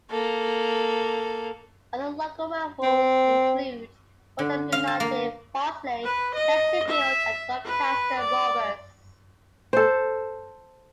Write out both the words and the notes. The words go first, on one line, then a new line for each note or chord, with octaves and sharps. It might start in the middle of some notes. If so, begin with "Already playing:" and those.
Other local rivals include Rotherham United, Barnsley, Chesterfield and Doncaster Rovers.
A#3 A4
C4
D3
F5
A5
A#3
B4
D#5
E5
B4
D5
A4 C5